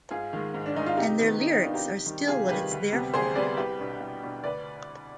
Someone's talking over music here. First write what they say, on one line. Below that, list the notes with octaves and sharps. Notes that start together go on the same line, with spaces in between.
And their lyrics are still what it's there for.
G#2 F4 G#4
D#3 G#3
G#2
D4
D#3 G#3 D#4
F4
C3 D#4 G4
D#3 B3
C3 D#4
D#4
D#3 B3 D4 F4
D#4 G4
C3
D#3 G3
C3 F4 G#4
D#3 G3 G4 B4
D2
C3 G3 B3
D2 G#4 C5
C3 G3 B3 B4 D5
C2 G4 B4
B2 B3 D4
C2
B2 B3 D4
D2 B4 D5